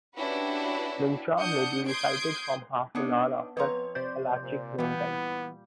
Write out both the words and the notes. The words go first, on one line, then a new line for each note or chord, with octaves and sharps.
Mincha may be recited from half an hour after "halachic" noontime.
C#4 D4 E4 F#4 G4 B4
D4 F#5 D#6 G6 C#7
C6 D#6 G6 G#6 C7 D7
B3 D4 D#4 C#5
F2 B4 C#5 A#5 C6
C3 C5 D5 G6
A#2
A#2 E3 G3 B3